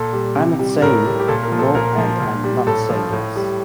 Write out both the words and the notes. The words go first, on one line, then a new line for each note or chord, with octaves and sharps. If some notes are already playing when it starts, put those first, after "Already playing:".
I'm not saying no and I'm not saying yes.
Already playing: A#2 A4
G3
C3
G3
A2 A#4
G3
G4
A#2 A4
A#4
F3
A4
A#2 A#4
F3
A#2
G3
A2 A4
F3
A2
G3